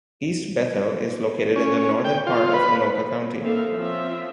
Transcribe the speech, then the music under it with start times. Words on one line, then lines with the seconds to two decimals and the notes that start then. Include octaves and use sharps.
East Bethel is located in the northern part of Anoka County.
1.56 C#4
2.05 G5
2.27 F4
2.54 B4
3.41 A#3 C4 D#4 A4 E5 F5
3.72 F3 C4 C#4 F4 E5